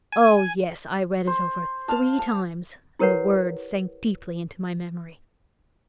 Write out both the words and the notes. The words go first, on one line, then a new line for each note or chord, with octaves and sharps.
"Oh yes, I read it over three times, and the words sank deeply into my memory."
G#5
C5
F5 A5
A5
E4 G4 A#4 B4 C#5 F#5